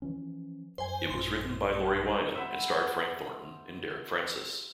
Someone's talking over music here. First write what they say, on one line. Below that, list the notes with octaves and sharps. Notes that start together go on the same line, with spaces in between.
It was written by Lawrie Wyman and starred Frank Thornton and Derek Francis.
E3 F3 C#4
F#2 C5 G#5
A1 F#2 A#2 C6
C5 E5 F#5 B5